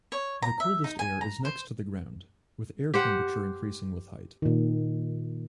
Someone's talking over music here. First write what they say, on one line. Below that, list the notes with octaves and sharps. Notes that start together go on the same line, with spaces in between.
The coldest air is next to the ground, with air temperature increasing with height.
C#5
A#5
E5
D#4
G#5
A#5
C5
G4 C5 F#5
A#2 D#3